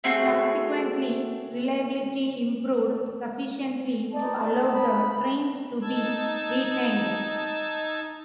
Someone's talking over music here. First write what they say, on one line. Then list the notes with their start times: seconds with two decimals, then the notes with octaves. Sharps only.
Subsequently, reliability improved sufficiently to allow the trains to be retained.
0.04 A3 C4 F#4 G#4
4.13 D#4 D5 A5
4.73 B5
5.81 D#4 A5 E6 G#6